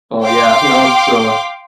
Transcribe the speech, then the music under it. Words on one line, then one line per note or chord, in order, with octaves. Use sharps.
oh, yeah. You know, it's, uh
F5 G5 C6 D6